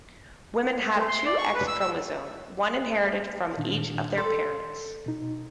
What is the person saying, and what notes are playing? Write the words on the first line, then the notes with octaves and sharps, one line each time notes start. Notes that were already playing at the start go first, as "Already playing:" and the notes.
Women have two X chromosomes, one inherited from each of their parents.
A3
C6
D5
C#6
B4
E6
E6
A#2 D#3 D4
A4 C6
B2 D#4